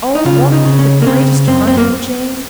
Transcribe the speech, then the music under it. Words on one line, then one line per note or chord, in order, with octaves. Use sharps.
Oh! won't it be the greatest fun, Emma Jane?
D#4
C#3 F4
D#4
C#3
C#4
A#3
C#3 C4
F#2 C4
C4
A#3